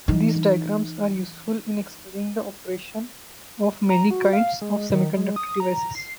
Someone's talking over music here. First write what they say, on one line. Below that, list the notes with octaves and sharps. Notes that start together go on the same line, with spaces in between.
These diagrams are useful in explaining the operation of many kinds of semiconductor devices.
E3 D#4
A#5
F#4
F5
G#3
D#3
G#3
D#6
A#5
C7